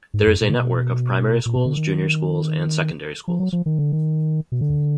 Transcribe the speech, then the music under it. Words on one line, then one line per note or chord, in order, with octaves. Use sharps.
There is a network of primary schools, junior schools and secondary schools.
G#2
F#2
A#2
D3
B2
A#2
B2
D3
D#3
F3
F#3
F3
D#3
D3
D#3
B2
D3